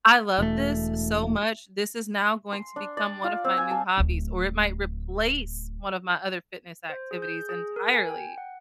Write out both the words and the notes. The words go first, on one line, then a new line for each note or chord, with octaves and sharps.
"I love this so much, this is now going to become one of my new hobbies," or it might replace one of my other fitness activities entirely.
E1 A3
C6
D4
D5
F4
C4
G#5
A5
D1 D2
C5
G#4
G6
G#4
A#4
G#5
G5
F#5